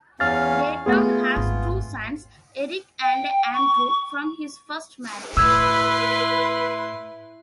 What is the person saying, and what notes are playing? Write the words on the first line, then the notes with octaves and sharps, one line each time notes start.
Dayton has two sons, Eric and Andrew, from his first marriage.
E2 C#4 F5 F6 A6
A3 B3 F4 G#4
G#1 D#2
G5
C#6
A2 E4 B4 C6 E6 G#6